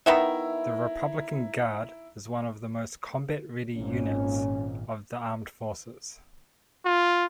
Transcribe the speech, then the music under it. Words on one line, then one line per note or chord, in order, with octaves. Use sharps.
The Republican Guard is one of the most combat-ready units of the Armed Forces.
D#3 B3 E4 E5 A#5
G#1 A#2 C#4
F4